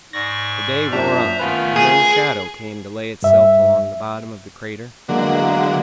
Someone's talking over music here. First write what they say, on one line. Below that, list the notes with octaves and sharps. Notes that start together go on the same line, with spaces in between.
The day wore on, and no shadow came to lay itself along the bottom of the crater.
G#2 D5 C#6 A#6
F#2 A#2 D4 C5 E5 A#5
D#3 A3 B3 C#4 F4 B4
G#4
G2 E5
E2 D3 F#3 G#3 A#3